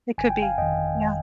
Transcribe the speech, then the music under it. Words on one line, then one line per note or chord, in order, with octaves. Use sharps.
It could be, yeah.
G1 G#5
G5
F5 G#5
F2 D#3 D#5 G5